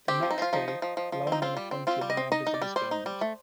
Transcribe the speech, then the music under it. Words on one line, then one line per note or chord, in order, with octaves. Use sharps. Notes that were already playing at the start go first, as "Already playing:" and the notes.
The next day Loughman appointed the members of his government.
C4 G4
F3
D#4
F3 F4
F3 D#4
F3
F3
F3
F3
C4
D#4
C4 F4
G3
C4
C4 F4
G3
D#5
C4
D#4 D#5
D#4
D5
G3
G3 C5
D#4
G3
A3